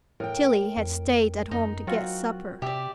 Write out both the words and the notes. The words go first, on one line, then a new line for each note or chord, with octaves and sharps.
Tillie had stayed at home to get supper.
A2 A#4 G5
F2
F#2 D#4
F#3 C4 F4 F#4
C3 G4 D5 E5